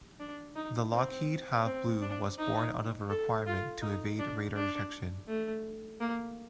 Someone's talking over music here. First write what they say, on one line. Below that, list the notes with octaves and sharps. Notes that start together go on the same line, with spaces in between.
The Lockheed "Have Blue" was born out of a requirement to evade radar detection.
D4
D#4
C4
C4
D4
D#4
A4
F4
D#4
D4
D4
A3
A#3